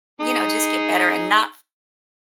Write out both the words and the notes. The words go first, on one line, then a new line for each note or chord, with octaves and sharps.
you know, just get better, and not f
D#4 G#4